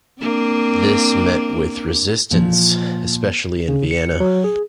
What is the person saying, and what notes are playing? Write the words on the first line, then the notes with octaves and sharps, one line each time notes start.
This met with resistance, especially in Vienna.
A#3 C4 D4
A#2 F3
C#3
C#7
F#3
G#4